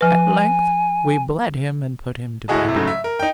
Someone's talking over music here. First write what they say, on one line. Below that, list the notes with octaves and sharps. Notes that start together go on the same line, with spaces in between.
At length we bled him and put him to bed.
F3 B4 G#5
D2 A2 F#4 G#4 D#5 A5
A2 C3
G#2 C#3 F#3 A3
E5
A#4
D#4 G5